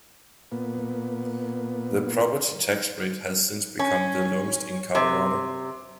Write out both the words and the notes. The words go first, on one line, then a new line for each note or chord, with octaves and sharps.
The property tax rate has since become the lowest in Colorado.
A#2 B3
C#4
C3